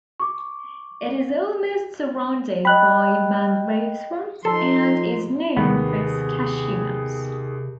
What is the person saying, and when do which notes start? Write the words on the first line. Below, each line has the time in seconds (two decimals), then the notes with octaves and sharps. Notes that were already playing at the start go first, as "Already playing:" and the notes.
It is almost surrounded by mangrove swamps and is known for its cashew nuts.
0.20 C#6 D6
2.65 D#5 G5 B5 F#6
4.45 F3 D#4 A4 C6
5.56 D#2 C3 B3 G#4